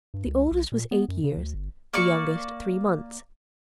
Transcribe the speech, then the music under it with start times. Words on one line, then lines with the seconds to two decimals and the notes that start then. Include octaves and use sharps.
The oldest was eight years, the youngest three months.
0.14 G2
0.26 C#2
0.51 B1
0.72 A#2
0.91 B3
1.09 F#2
1.24 C#3
1.37 D2
1.54 G1
1.94 A#3 D5 C#6